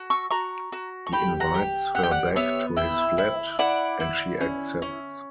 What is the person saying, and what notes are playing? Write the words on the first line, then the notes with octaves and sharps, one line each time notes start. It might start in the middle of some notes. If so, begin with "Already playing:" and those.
He invites her back to his flat and she accepts.
Already playing: F#4
C#6 E6
F#4 A#5 C#6
F#4
C#6
G4 G5 B5
F#5 A#5
G4
G4 F#5
G5
D5 F#5
B3 C#5 E5
E4 E5 G5
E4
E4 D5 F#5
E4
C#4
C#4